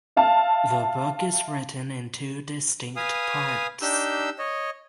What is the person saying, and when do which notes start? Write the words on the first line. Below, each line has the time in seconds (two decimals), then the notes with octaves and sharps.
The book is written in two distinct parts.
0.17 E5 F5 A5
2.96 B4 F5 G#5 D#6
3.82 D4 D#4 G4 E6 G6
4.39 C#5 D#5